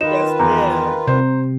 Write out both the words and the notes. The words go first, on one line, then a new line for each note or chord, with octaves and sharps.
Yes, ma'am.
D#3 D#4 F4 B4 E7
E2 A#5
C3 C5